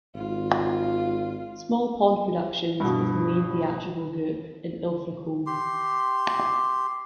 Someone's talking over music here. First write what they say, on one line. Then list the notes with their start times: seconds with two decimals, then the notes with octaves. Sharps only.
Small Pond Productions is the main theatrical group in Ilfracombe.
0.15 G#1 F4
2.80 G2 B2
5.46 G4 C6